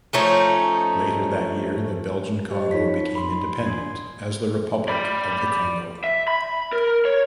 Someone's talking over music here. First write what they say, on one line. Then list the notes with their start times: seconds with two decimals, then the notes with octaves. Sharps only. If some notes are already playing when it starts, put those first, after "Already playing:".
Later that year the Belgian Congo became independent as the Republic of the Congo.
0.13 F3 A3 C#4 D#4
2.51 G4 C5 D#5
2.71 D#4 F4 C#5 B6
3.15 B5 C6
3.65 D4 C6 G#6
4.88 D5 B5
6.04 E5
6.28 B5
6.73 A#4
7.05 C#5